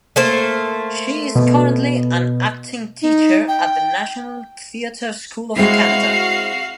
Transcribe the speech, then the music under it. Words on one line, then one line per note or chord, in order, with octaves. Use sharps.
She is currently an acting teacher at the National Theatre School of Canada.
A3 A#3 C5
B2
D#4
G5
G#3 C4 E4 F#4 F5 C7